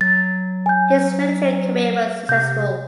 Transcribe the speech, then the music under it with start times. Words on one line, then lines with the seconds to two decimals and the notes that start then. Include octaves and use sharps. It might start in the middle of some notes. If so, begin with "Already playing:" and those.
His military career was successful.
0.01 F#3 A6
0.66 G#5 G6
2.29 C3 G6